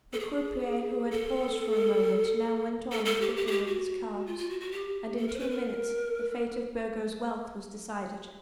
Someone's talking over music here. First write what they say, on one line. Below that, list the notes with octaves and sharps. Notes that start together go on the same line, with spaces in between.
The croupier who had paused for a moment now went on quickly with his cards, and in two minutes the fate of Burgo's wealth was decided.
A4
G#4
A4
A4
A4
G4
G4
G#4
G4
F#4
F4
F4
F#4
F#4
G4
A4
A#4
C5
B4
A#4